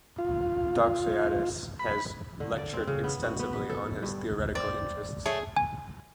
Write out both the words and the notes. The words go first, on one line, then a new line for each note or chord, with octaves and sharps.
Doxiadis has lectured extensively on his theoretical interests.
F4
B5
D3
D5
C4
C#3
B3
F#4
B3
B4
A4
G2
C4 D5
A3 G#4 C#5
G#5